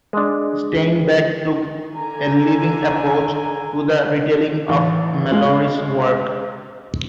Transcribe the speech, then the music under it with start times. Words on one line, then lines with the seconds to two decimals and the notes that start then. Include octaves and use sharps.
Steinbeck took a "living approach" to the retelling of Malory's work.
0.13 G#3 D4
1.94 D3 G#5 A#5
4.69 A1
5.32 G#3 F5